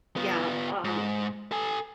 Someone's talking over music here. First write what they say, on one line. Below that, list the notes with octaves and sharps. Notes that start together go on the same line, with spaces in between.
yeah, um,
B3 F4
G#2
A4 G#5